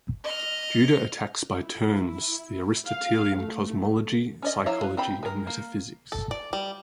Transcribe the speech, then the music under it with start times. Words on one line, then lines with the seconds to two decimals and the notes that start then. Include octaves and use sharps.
Judah attacks by turns the Aristotelian cosmology, psychology, and metaphysics.
0.24 D#5 F6
1.60 E4
2.87 F5
3.37 A3
4.42 C#4 D5 D#5
4.66 F3 E4 C#5 F5 A#5
4.83 B4
4.97 C4 G4 B5
5.23 G#3 A#4
5.47 A#3
6.12 A4
6.31 D5
6.53 G3